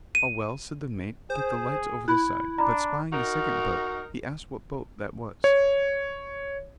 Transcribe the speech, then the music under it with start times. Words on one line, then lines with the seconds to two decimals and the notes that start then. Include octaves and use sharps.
"All well," said the mate, "get the lights over the side;" but spying the second boat, he asked what boat that was?
0.15 D#7
1.30 G#4 C5
2.08 E4 B5 F#6
2.58 D4 A#5 B5
3.13 D#4 F#4 A#4
5.44 C#5